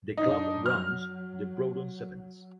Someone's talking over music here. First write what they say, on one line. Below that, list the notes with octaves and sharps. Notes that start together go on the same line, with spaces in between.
The club runs the Broughton Sevens.
F#2 D4 D#4
F#3 F6